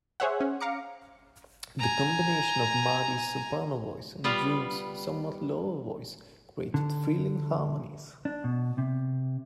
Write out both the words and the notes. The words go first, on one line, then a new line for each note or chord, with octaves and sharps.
The combination of Maddy's soprano voice and June's somewhat lower voice created thrilling harmonies.
G#4 C5 C#5 E5 F#5
C#4
F5 A#5 D6 C#7
G#5 A#5
G3 B3 F4 F5
D3
D4
B2
C3